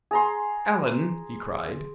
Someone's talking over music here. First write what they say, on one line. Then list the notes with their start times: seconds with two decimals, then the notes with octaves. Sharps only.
"Alan!" he cried.
0.11 G#4 A#5 C6